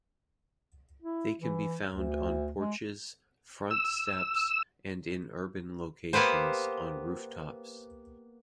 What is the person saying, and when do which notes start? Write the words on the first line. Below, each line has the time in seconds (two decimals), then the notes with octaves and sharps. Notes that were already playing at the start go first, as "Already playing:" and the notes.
They can be found on porches, front steps, and in urban locations, on rooftops.
1.02 E4
1.40 E3
1.91 D2
2.58 G#3
3.71 E6
6.13 A#3 B3 G4 B4 C5